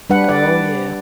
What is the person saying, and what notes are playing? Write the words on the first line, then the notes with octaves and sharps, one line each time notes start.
Oh, yeah.
G3 D4 B4 F#5
D5